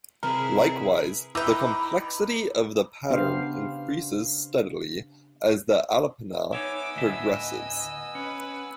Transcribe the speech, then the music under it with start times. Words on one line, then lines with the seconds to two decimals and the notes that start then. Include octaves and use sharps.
Likewise, the complexity of the patterns increases steadily as the alapana progresses.
0.23 C3 E4 G#4 A#4 B4 A5
1.35 D#4 E4 B4 G5 A#5 B5 D6 E6
3.10 C#3 B3 D4 G4 C5 F5
6.53 B3 D#4 C#5 E5 G#5 D6 E6
6.96 D2 A2 D#5 E5
8.15 C#4 B4